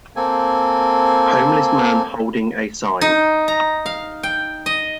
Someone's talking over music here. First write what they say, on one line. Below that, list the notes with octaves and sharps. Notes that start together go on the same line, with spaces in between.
Homeless man holding a sign.
A#3 C4 A4 G#5
D#4
A#5
F5
G5
D#5